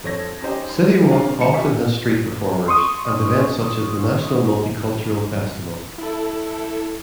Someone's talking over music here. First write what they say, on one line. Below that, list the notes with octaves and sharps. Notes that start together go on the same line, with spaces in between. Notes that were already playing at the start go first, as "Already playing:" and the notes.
City Walk often has street performers, and events such as the National Multicultural Festival.
F2 A4 C5 C#5 G#6 A#6
C#4 D#4 G4 C5 D#5 G5
C6
F#3 D4 C#5 F5
F3 A3 C5 C#7
G4 A#4 E5 G#5 C#6
C6 C#6 D#6
E4 A4